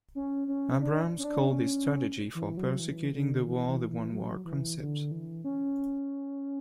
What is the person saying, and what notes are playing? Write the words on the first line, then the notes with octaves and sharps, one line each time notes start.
Abrams called his strategy for persecuting the war the one war concept.
C#4
C#4
D4
C#4
D4
C#4
E3
F#3
E3
D3
E3
E3
E3
F#3
E3
D3
E3
C#4